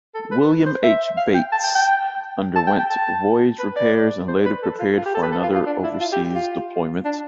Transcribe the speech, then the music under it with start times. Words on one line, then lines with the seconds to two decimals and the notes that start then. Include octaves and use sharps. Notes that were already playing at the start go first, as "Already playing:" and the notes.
"William H. Bates" underwent voyage repairs and later prepared for another overseas deployment.
0.14 A4
0.31 B4
0.66 C5
0.83 E5
1.17 F5
1.34 G5
1.52 A5
1.63 G5
1.75 G5
2.56 A5
2.67 G5
2.79 G5
2.90 A5
3.59 B4
3.76 D5
4.28 C5
4.45 B4
4.63 A4
4.80 F4
4.97 F4
5.06 G4
5.14 A4
5.23 B4
5.32 A4
5.43 F4
5.55 F4
5.66 D4
5.84 E4
6.00 F4
6.12 G4
6.35 F4
7.05 D4